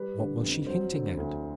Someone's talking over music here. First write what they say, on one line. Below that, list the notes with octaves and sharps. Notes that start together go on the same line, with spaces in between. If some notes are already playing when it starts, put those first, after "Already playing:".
What was she hinting at?
Already playing: G3 B4
D3
F2
F#3 C5
D3
D2